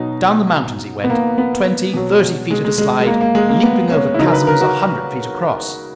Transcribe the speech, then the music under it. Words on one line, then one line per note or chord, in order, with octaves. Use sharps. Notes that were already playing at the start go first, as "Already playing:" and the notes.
Down the mountains he went, twenty, thirty feet at a slide, leaping over chasms a hundred feet across.
Already playing: B2 F#3 D#4
B3
A#3
B3
B2 F#3
G#3
G#3
G#3
G#3
A#3
A#3
G#3
A#3
B3
C#4
E4
C#3 F#3 D#4
A#4
B4
A#4
F#4